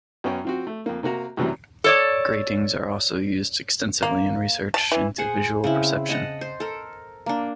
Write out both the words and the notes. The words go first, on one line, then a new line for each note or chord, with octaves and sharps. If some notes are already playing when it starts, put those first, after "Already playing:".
Gratings are also used extensively in research into visual perception.
F#2 B3 C#4 G5
F3 C4 F#4
A3
F2 A#3
C3 A#3 F#4 A#5
F#2 C3 E3 F#3 G3
A4 C#5 D5
A#3
A5
E3
G#4 C5 F#5
C#3 C4 E4
D#5 F#5 A5
C5
A4 A#4
A#3 D4